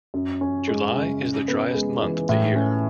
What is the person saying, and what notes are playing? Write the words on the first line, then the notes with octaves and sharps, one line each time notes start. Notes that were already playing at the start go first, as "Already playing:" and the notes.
July is the driest month of the year.
F#2
C#4
G#3
C#3
C#3
B3
G#3
E3
A2
C#4